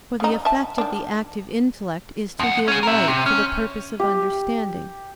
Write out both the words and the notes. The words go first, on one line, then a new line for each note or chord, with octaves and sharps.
For the effect of the active intellect is to give light for the purpose of understanding.
C#3 D#4
E5 A5
D#3 D4
F2 F#5
C#4 G#4
A#4 E5
C3
C#4
G4